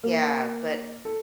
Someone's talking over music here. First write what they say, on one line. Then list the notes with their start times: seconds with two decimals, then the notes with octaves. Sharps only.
Yeah, but
0.04 A#3
1.05 A4